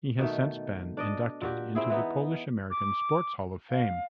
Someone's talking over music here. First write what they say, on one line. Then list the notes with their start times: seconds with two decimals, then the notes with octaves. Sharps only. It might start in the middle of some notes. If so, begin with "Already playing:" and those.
He has since been inducted into the Polish-American Sports Hall of Fame.
0.19 B2 D#3 A3
0.97 D4 D5 D#5
1.42 A#2 F#4 G4
1.75 C4 E4 G#4
1.90 E3 B3 D#4
2.71 D6
3.70 F5